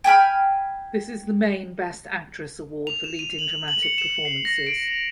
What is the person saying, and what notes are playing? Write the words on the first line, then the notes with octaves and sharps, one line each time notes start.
This is the main best actress award for leading dramatic performances.
G5 G#5 B5 F6
F7
E7
D#7
F#7
F#7
C#7
E7
C7
A#6
D7
F7